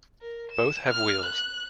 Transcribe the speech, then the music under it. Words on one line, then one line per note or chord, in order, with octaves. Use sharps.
Both have wheels.
A#4
E7
F6
F#6